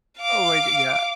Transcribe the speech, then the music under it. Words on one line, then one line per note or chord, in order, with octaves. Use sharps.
Oh my g Yeah.
F5 D6